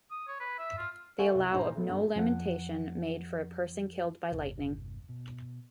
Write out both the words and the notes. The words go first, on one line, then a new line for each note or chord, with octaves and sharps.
They allow of no lamentation made for a person killed by lightning.
D#6
C#5
B4
E5
F4
A4 C5 E5 F#5 G#5 C#6
C2
G2 A#2 D#4 C5 A#5
A3 B3 A4
G2 F#3 A3
F2 F3 F#5
G1 E2 G2 C3
B2